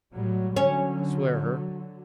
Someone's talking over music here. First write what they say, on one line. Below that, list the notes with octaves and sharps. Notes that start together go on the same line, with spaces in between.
"Swear her."
A2 F#3 G3
D3 F#3 C#4